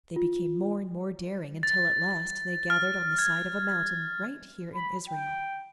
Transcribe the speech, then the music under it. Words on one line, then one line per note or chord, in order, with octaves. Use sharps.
They became more and more daring, until at last they gathered on the side of a mountain right here in Israel.
F4
A6
F6
G#6
B5
G5